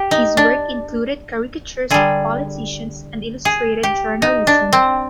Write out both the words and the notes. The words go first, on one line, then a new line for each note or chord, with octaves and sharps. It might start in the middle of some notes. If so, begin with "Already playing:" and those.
His work included caricatures of politicians and illustrated journalism.
Already playing: G4
D#4
D4
D3 G3 G#4
G#4
G4
D#4
D4
C4